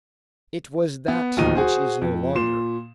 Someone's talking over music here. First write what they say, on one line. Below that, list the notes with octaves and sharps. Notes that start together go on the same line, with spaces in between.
It was that which is no longer.
B3
D1 D#2 B2 F3 D#4 D#7
F#4 G#4 C5
F2
A#2 C6 E7